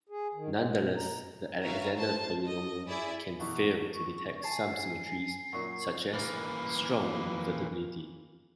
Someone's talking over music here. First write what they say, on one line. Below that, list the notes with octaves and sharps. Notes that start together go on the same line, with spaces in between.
Nonetheless, the Alexander polynomial can fail to detect some symmetries, such as strong invertibility.
G#4
D#3
G#3
B2
A#5
F#4 A#4 B4 C#5 E5 F5
C5 A5
D#5
E4 G#4 D5 E5 B5
E2 B2 E3 C#6
G#5 A5 C7
F#2 A#2 C#6
E3 A#3